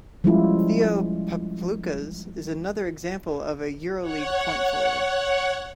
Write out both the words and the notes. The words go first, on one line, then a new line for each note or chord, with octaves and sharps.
Theo Papaloukas is another example of a Euroleague point forward.
F3 G3 G#3 C#4 E4 F4
C#5 F#5